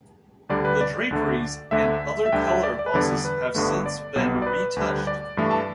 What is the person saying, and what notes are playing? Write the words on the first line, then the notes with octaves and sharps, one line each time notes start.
The draperies and other color losses have since been retouched.
D2 D3 G3 D5
B4
D5
D2 D3 A3
D2 D3 A3 E5
E5
D2 D3 G3 G5
E5
D5
D5
B4
E2 D3 G3 D5
B4
G1 G2 D3 A3
D5
B1 B2 G3
D5
B4
D2 D3 G3
D5
G2 E3 A3
A5